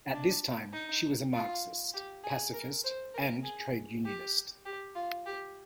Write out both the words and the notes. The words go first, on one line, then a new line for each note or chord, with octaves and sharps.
At this time, she was a Marxist, pacifist, and trade unionist.
D4
D#4
F4
G4
G#4
A#4
C5
A#4
G#4
G4
G4
F4
G4